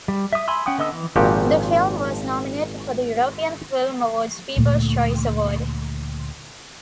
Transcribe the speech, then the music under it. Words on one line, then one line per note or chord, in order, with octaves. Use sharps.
The film was nominated for the European Film Awards People's Choice Award.
G3
E5 D#6
G#5 B5 C6 E6
C#4 F#5 G5 D#6
D3 B3 D#5 D#6 E6
E3
G#1 A#2 F3 F#4 G4
D2 A#2 A3